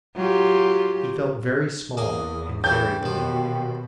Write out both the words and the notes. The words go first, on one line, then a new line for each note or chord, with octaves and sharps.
He felt very small and very mean.
F#3 F4 G4
E2 A#3 G#4 D#6
C#3 E3 G5 G6
D#2 B2 F3